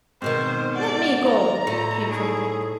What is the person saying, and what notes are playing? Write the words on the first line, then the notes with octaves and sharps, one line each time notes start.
"Let me go!" came from Dick.
G#2 B2 D#3 C4 C5
D5 F#5
D#4 D5 A#5
A2 F4 C#7
D#4 G#4 A4 C#6